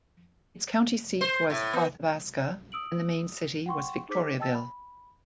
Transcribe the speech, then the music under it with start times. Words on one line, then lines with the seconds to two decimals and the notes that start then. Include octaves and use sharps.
Its county seat was Arthabaska and the main city was Victoriaville.
1.21 C5
1.50 A2
1.73 B3
2.72 D#6 E6 D7 F#7
3.66 F#5 G5 C6 C#6
4.09 D#4 G#4 C5 D6 B6
4.39 D#5 G5 A5 E6 A6
4.55 B5